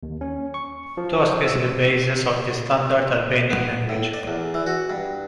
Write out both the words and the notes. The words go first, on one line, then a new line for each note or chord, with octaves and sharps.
Tosk is the basis of the standard Albanian language.
D#2
C#4
C#6
F3
C5
E6
B3
A2
D5
E2
E3
F#4
G2